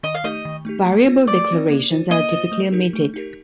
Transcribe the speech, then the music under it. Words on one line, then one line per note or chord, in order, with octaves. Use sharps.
Variable declarations are typically omitted.
D#3 D#5
F5
A3 D#4 G4 D#5
D#3
A3 D#4 G4
A3
C4 F4 C5
A3 D5
C4 F4 C5
A#3
F4 C5
A#3 D#5
F4 C5
A3
D#4 G4 A#4
A3
D#4 G4 A#4